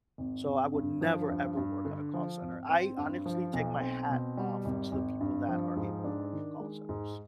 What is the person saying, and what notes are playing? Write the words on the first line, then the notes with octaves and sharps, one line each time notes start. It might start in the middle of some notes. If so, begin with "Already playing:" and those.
So, I would never ever work at a call center, I honestly take my hat off to the people that are able to work in call centers.
G#1
G#1
G2
F3
G2
G2
D3
F3
G#1
C4
G2
F3
B1
C4
B2
G3
G#1
G#1
G2
F3
G#2
D4
D#3
G#3
G#2